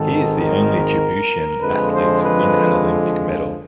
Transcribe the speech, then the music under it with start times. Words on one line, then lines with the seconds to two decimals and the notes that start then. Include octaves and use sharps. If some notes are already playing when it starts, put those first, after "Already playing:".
He is the only Djiboutian athlete to win an Olympic medal.
Already playing: G#1 G#2 D#3 A4
0.39 A#4
1.61 F2 D3 F3 G#3 B4
1.93 C5
2.23 B4